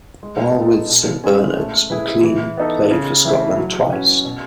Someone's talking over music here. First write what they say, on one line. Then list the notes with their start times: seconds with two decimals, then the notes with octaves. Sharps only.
While with Saint Bernard's, McLean played for Scotland twice.
0.23 G#3
0.56 B3 D#4 A4
0.90 B2
1.24 G#3 C#4 G#4 B4
1.57 A3
1.90 E4 G#4 B4
2.24 E3
2.57 B3 D#4 A4
2.91 C#3
3.25 E3 A3 E4
3.58 F#3
3.91 C#4 F#4 B4
4.25 B2